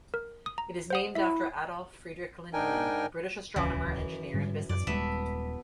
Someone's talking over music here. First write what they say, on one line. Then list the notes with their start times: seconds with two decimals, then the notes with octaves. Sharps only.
It is named after Adolph Friedrich Lindemann, a British astronomer, engineer and businessman.
0.14 A#4
0.46 D#6
0.58 A#5
0.90 C5 F#5 D#6
1.15 E4 E5 B6
2.53 G#2 D4 D#4 A#4 G5 G#5
3.56 D#1 C#2 F#2 E3
4.34 G#2 D3 G3
4.69 F#2 D5
4.87 D#1 G3 G#3 B3 A4 E5